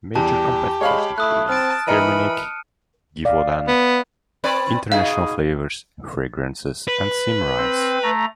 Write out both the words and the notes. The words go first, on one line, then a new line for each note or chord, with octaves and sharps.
Major competitors included Firmenich, Givaudan, International Flavors and Fragrances and Symrise.
E2 G3 G4 A5
G#3 C#5 F5 B5
A3 E4 D#6 F#6
C4 A5 F6 D7
E3 A#4 D#5 B5 F6 C#7 D#7
D5 F5
B3
C4 B4 D5
B2 D#4 G#4 F5
B4
C4
A3 A#5